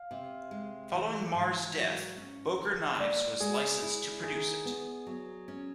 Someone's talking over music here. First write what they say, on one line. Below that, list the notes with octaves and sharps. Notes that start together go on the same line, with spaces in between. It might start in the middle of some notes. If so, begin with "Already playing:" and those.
Following Mar's death, Boker Knives was licensed to produce it.
Already playing: F5
C3
G#3
E3
G#2
F#3
C#4
D3
A#3 D5
G#3 G#4
E4
D#3 G#4
B3
F#3
C#4